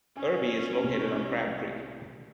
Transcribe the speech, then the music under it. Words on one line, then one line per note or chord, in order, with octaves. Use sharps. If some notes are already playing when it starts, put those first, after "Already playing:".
Irby is located on Crab Creek.
C#4 G#5
C2 A2 C3